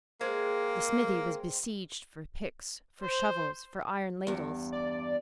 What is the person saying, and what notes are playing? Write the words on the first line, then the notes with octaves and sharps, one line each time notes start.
The smithy was besieged for picks, for shovels, for iron ladles.
G#3 A#3 C4
C5
E2 G2
D5